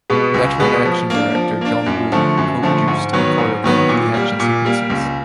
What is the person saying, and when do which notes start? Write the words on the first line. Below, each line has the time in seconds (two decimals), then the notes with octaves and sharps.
Veteran action director John Woo co-produced and choreographed the action sequences.
0.10 B2 G#3 B3
0.34 C#2
0.60 B2 G#3 B3
0.86 F3
1.10 A#3 D4
1.35 F3
1.61 A#3 D4
1.86 F#2
2.12 D3 F3 A3
2.37 F#2
2.62 D3 F3 A3
2.88 G#2
3.13 D#3 F#3 B3
3.38 G#2
3.64 D#3 F#3 B3
3.89 A#2
4.14 G3 A#3
4.40 A#2
4.65 G3 A#3
4.90 C#2